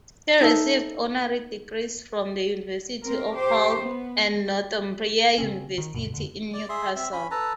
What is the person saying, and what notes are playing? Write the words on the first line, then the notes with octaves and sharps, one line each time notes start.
He received honorary degrees from the University of Hull and Northumbria University in Newcastle.
D#4 A4 E5
C4 A#4
G4 C5
B3
C#3 C4 C#4
D#3
D2 G2 B2
F2 D3
D5
G#4 E5 C6
C4 E5
C#4 B5
A4 B4 A5 A#5